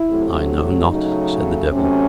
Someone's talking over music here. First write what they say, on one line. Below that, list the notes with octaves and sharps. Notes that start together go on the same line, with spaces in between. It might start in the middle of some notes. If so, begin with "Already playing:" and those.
"I know not," said the devil.
Already playing: E4
C3 F#3 A3
C#3 F#3 A3 D#4
C3 F#3 A3 C#4